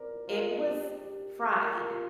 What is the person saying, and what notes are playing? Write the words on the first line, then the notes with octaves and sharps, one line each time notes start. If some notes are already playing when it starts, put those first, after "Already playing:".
it was fried.
Already playing: A#4 C5 D5
F4 A#4
G4 C5
G4
G4
F4 A#4
F4 A#4